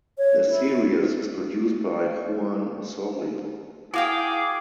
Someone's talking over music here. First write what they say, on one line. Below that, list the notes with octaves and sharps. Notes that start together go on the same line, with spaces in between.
The series is produced by Juan Osorio.
C#5
E4
E4 F#4 G#4 F5 G5 D6